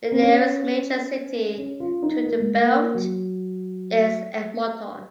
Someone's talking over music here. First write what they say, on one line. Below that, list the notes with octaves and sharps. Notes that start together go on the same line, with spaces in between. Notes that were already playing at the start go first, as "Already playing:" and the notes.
The nearest major city to the belt is Edmonton.
C4
C#4
C#4
F4
D#4
A#3
G#3
A#3
F#3